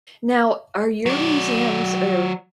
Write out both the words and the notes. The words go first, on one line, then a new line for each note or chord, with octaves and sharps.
Now, are your museums or
F#3 D5